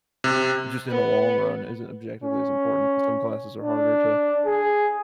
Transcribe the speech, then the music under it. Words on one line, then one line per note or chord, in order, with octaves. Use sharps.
just in the long run isn't objectively as important 'cause some classes are harder to
C3
B3
C#4
D4
G#4